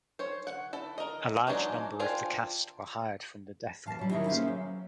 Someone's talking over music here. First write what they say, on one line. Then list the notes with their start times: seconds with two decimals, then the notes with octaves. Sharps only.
A large number of the cast were hired from the deaf community.
0.19 C5 C#5
0.47 F#5
0.73 E4 A4
0.98 A#4 D#5
1.47 E3 F#3 G#3 D4 D#4
2.00 D4 F4 C5 G5 G#5
3.85 E3 F5 A5
3.99 F#3 G3
4.12 D#3 F#3 C#4 D#4 E4
4.27 A#3 C#4 G#4 C5 E5 F5
4.48 F#3